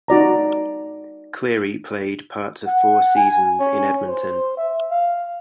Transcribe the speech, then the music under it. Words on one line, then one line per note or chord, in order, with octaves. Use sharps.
Cleary played parts of four seasons in Edmonton.
D#4 F#4 D5 A#5
F#5
G#5
C#4
C5
E5
F5